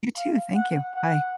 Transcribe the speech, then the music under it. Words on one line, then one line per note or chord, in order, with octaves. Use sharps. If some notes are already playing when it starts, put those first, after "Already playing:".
You too, thank you. Bye.
F5
F#5
F#5